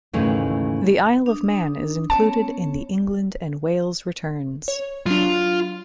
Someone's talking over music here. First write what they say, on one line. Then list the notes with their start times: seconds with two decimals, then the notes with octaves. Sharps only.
The Isle of Man is included in the England and Wales returns.
0.13 D#2 G#2 C#3 E3 A3 D#4
1.26 D4 D#6
2.10 B3 C#4 C#5 A5
4.68 C#5
5.06 F#3 D4 F4